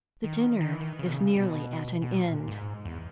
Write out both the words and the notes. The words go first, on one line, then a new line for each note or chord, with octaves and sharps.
The dinner is nearly at an end.
D#3
D#3
E3
D#3
C#3
B2
C#3
B2
B2
A#2
G#2
E2